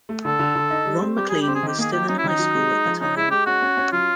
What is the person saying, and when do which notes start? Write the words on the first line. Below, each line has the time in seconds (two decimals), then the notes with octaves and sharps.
Ron MacLean was still in high school at the time.
0.09 A3
0.25 D3 A4
0.39 D3
0.56 D3
0.70 D#4
0.85 G3
1.01 C4
1.16 G3 G4
1.29 G3 G#4
1.42 G4
1.47 C4
1.55 G#4
1.63 D#3 G4
1.78 A#3 G#4
1.92 F#3 G4
2.09 C#4 D#4
2.18 E4
2.24 D#3 D#4
2.39 F#3
2.55 G#3
2.70 G#3
2.85 F3
3.01 C#4 D#4
3.16 G#3 E4
3.31 G#3 G4
3.46 C#4 F#4
3.62 C#4
3.77 C#4
3.92 F#3 F4